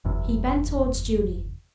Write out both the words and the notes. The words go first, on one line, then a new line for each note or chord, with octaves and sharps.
He bent towards Julie.
F#1 E2 C3